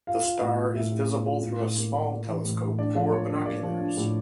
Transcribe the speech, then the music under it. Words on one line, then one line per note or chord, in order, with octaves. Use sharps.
The star is visible through a small telescope or binoculars.
F4 F5
F4
A2
F4
A2 E5
A2
C#4
F4
A2
A2
A#3
A2
A#3
E3
A2
A2
D4 D5
F3
A#3 C#5
D4
A#3 D5
F3
D4
A2